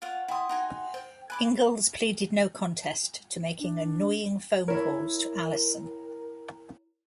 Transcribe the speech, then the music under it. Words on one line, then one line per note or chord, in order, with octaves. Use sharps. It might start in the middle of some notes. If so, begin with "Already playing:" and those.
Ingels pleaded no contest to making annoying phone calls to Allyson.
F4 C#5 F#5
E4 F#5 G5 C6 D#6
D#4 F#4 G#5
C5 G5
G#5 B5 D6 F#6
D4
E4 A#4 C#5